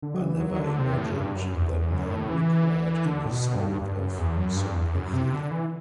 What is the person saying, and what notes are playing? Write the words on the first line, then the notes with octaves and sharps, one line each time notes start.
I never imagined that men required any solt of sympathy.
D3
F#3
E3
F#3
D3
C3
A2
F#2
G2
F#2
E2
E2
F#2
A2
E3
D3
A2
B2
G2
G2
F#2
E2
F#2
G2
E2
F#2
C3
D3
E3